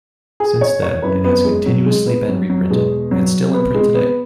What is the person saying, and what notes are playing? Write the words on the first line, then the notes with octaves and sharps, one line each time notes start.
Since then, it has continuously been reprinted and still in print today.
G#4
C#5
C#5
F#2 E3 B4
B3
G#3
F#3
G#3
B3
F#3
F#3
E2 B2 G#3
F#3
B3
G#3
B3